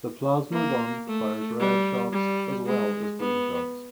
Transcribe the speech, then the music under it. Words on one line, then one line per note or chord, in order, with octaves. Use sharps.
The Plasma Gun fires red shots as well as green shots.
A#3
A3
G3
G3
G#3
B3